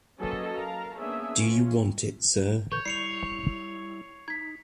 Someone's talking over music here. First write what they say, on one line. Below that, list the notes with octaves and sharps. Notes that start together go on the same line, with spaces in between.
Do you want it, sir?
F#3 A#3 C#4 A4 B4 D#5
A#4 F5 A5 A#5
A#3 B3 C#4 D4 G#4 E5
C#4 F4
A#2 D3 E3 C#5 C#6 G6
G3 E4 C7 C#7 F7
D#4 G#6 B6